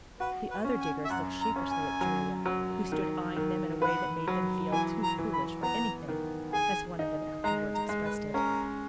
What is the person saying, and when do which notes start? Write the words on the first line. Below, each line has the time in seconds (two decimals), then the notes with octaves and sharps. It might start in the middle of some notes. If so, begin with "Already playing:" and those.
The other diggers looked sheepishly at Julia, who stood eyeing them in a way that made them feel "too foolish for anything," as one of them afterwards expressed it.
0.20 F#4 B4
0.50 B4
0.65 C#4
0.80 G#5
1.05 E5
1.10 F#2 F#5
1.40 A#5
1.56 C#4
1.71 G#5
2.01 F#3
2.46 F#3
2.92 D#3
3.37 D#3
3.82 B4 F#5
4.28 F#3
4.72 E3 G#5
5.03 A#5
5.18 E3
5.33 B5
5.63 B3 A#5
6.09 D#3
6.53 G#4 G#5
6.99 D#4
7.44 G#3 A#5
7.74 A#5
7.89 G#3
8.04 B4
8.34 C#4 A#4